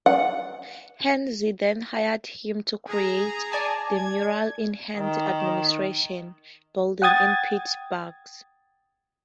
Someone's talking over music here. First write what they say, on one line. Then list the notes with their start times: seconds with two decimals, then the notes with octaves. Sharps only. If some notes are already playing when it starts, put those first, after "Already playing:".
Heinz then hired him to create the murals in Heinz administration building in Pittsburgh.
0.06 F#5
2.87 G#4 A#5
3.52 D5 G#5 A5
3.95 G#6
4.97 D#3
7.02 F#5 G5 D#6 G#6 A6